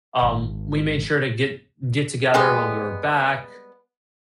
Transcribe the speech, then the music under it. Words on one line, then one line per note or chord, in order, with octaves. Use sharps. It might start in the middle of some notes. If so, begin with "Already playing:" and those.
um, we made sure to get get together when we were back,
G#1
G3 G#3 B3